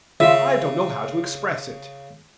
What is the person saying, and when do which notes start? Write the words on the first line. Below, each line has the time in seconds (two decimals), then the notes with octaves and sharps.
I don't know how to express it.
0.20 C#3 F4 E5